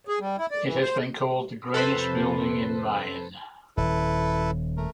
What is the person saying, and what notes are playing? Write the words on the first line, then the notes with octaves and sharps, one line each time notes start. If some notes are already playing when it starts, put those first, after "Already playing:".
It has been called the greenest building in Maine.
G#4
G3
E4
D5
E3
C5
F2 C3 A4 B4 C5
D#1 E4 A4 B4
A3 A#4